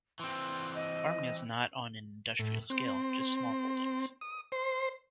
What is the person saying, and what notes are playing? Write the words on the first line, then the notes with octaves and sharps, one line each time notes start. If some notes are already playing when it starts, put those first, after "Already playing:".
Farming is not on an industrial scale, just small holdings.
E3 C4 C6
D#5
A2
C4
D#6
C5